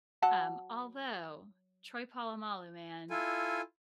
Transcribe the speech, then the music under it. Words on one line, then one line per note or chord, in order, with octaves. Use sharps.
um, although Troy Polamalu, man,
F#3 F#5 A5
E4 F4 A4 G#5